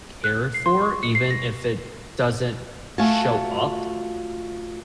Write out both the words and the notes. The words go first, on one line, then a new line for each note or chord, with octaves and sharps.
cared for even if it doesn't show up
F#6
C7
C6
C#6
C#7
C7
A#6
A3 F4 F#4 E5 G#5 A5